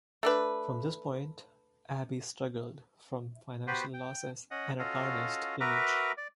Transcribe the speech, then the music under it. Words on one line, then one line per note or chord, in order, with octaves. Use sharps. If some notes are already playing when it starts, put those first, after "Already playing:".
From this point, Abbey struggled from financial losses and a tarnished image.
A3 D4 B4
B3 F#4 G4 B4 C5
G5
C#4 D#5 F#5
C#4 F4 F#4 A4 D#5 F5
F#4 A#4 B4 E5 A#5 D6
D5